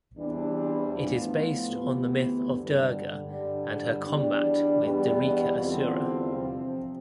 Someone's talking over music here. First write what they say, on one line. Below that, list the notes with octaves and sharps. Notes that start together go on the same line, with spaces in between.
It is based on the myth of durga and her combat with Darika asura.
E2 C3 E3 G3 D4
A2 F3 B3 F4
D2 C3 E3 B3
G2 D3 G3
G2 D3 G3 D4
E2 B2 G3 D4
E2 B2 G3
E2 D3 G3 C4 F4
C3 F3 C4